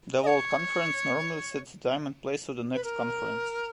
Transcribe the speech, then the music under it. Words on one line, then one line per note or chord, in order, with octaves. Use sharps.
The world conference normally sets the time and place for the next conference.
D#5
C#5
B4
A#4